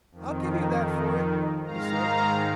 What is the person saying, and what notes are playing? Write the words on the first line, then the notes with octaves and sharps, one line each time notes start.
"I'll give you that for it," he said.
F2 D#3
G#2 D#3 F5 A#5